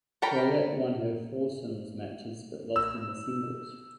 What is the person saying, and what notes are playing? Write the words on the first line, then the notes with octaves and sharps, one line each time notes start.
Corlett won her foursomes matches but lost in the singles.
A4 A#4 G5 A#5 B5
E6